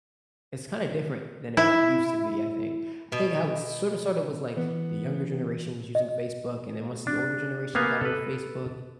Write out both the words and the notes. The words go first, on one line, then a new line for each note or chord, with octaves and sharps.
it's kinda different than it used to be, I think I think how it sorta sorta was like the younger generation was using Facebook and then once the older generation got on Facebook,
E4
B2
E3 B3
D#5
D4
A#3 B3 F5 G#5
A4 B4